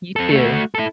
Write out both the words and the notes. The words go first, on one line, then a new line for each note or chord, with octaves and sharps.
You too.
C4 A4
A3 F#4
E4 A4